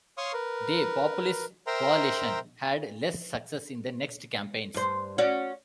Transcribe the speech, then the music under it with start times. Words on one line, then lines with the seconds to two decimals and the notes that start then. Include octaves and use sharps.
They Populist coalition had less success in the next campaigns.
0.18 C#5 F5 C6 C#6 D#6 F6
0.33 A#4 B4
1.67 A#4 C5 E5 G5 A#5 C6
4.74 G2 C5
5.18 C#4 F#4 D5